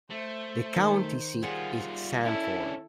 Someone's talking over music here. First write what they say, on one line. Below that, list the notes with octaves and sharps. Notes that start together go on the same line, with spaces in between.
The county seat is Sanford.
A3 C5
D#3
G3 F4 G#4 F#5
C#4 D4 E4 A4